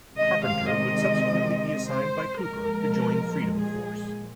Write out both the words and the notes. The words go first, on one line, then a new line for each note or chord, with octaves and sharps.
Carpenter would subsequently be assigned by Cooper to join Freedom Force.
C3 D#3 G#3 C4 D#5
F5
D#5
C5
A#2 F3 G#3 A#4
G#4